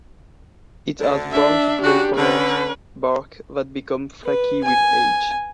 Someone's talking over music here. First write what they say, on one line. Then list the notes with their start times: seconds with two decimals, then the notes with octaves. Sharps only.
It has brown to grey coloured bark that become flaky with age.
1.00 D2 D3
1.31 D4 E5
1.82 C#3 D4 F#4 G4
2.16 D3 C#4 B4
4.24 B4
4.64 G#5